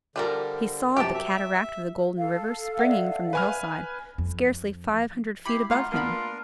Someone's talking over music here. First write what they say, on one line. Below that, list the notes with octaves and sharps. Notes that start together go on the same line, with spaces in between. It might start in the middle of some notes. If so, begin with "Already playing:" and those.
He saw the cataract of the Golden River springing from the hillside, scarcely five hundred feet above him.
D3 F3 G3 A#4
F#2 C3 G4 A5
E5
A4 F5
D5 E5 F#5
B4 G#5 F6
F2
E4 G4 B5 C7
A3 D#4 F4 F5 F#5
A#3 B3 D4 F4 A#4 B5